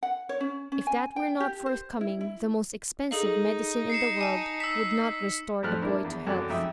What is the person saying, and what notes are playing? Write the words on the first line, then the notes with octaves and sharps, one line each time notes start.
If that were not forthcoming, the most expensive medicine in the world would not restore the boy to health.
F#5
C#5
C#4
C#4
G#5
G5
G4
C5
E4
E4
D#4 G#4 A4 F5
C7 C#7 E7
G#5 A5
E6 B6 E7
E6
F2 A2 A3 C5 F6 F#6
D4 E4 A#4
E2
C2 F#2 A4 D6 F#6
F2 G#2 E5 G5 D#6